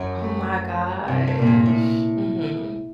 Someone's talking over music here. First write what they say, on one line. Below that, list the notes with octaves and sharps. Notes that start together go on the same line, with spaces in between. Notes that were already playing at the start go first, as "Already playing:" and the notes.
Oh my gosh. Mhm.
Already playing: F#2
A3
G2 C3
G2
A#2
F#2
G2
A2